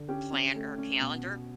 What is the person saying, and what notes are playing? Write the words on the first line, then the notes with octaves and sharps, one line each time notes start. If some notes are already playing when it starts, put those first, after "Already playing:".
planner calendar,
Already playing: D3
C#4 G4
C#4
A3
C#4
B2
B2